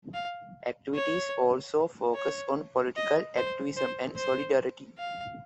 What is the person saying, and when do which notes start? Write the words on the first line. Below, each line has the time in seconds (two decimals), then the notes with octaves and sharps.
Activities also focused on political activism and solidarity.
0.14 F5
0.95 C#5
2.15 C#5
2.97 D#5
3.37 C5
3.77 C5
4.17 C5
4.98 F5